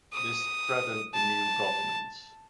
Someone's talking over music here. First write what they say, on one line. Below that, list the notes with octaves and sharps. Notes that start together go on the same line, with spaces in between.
This threatened the new governments.
D#6
A5